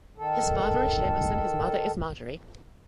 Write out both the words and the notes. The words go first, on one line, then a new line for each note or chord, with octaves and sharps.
His father is Seamus and his mother is Marjorie.
D#3 A4